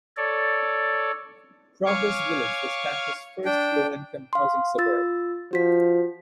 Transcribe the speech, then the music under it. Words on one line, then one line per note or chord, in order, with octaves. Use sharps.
Progress Village was Tampa's first low-income housing suburb.
A4 C#5 D5
C#5 F5 G#5 C#6 D6
D4 G5
F5 C6
F4 E6 A6
F3 F#4 B6